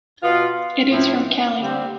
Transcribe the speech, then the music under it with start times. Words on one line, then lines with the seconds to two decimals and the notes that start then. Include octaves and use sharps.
It is from Cali.
0.22 B2 B3 F4
0.90 A2 F3 C4 E4
1.60 D3 G3 C4